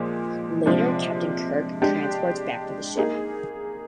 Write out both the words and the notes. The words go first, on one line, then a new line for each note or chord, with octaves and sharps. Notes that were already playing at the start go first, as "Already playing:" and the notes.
Later, Captain Kirk transports back to the ship.
Already playing: A#2 F3 G#3
C3 F3 G#3 D4
G#3 D4 G4
A#3 D#4 G#4